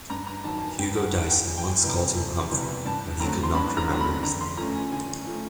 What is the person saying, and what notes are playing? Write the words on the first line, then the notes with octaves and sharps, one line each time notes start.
Hugo Dyson once called him "Humphrey" when he could not remember his name.
G2 A#5
A#5
D#3 F#3 A5
A5
G#5
G2 G5
F#5
D#3 F#3 F#5
G5
F2 G#5
G5
G#5
C3 E3 G3 B3
F2
C3 E3 G3 B3
G2 A5
D3 F#3 A3 C4 A#5
C6
G2 B5
A#5
D3 F#3 A3 C4
B5
D3 A#5
C6
F3 A3 C#4 A#5
G#5
D3 G#5
F3 A3 C#4